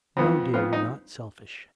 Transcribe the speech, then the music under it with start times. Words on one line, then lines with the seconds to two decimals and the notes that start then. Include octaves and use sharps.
'No, dear, you're not selfish....
0.17 F2 F3 B3
0.54 F2 F3 B3 F4
0.73 D#4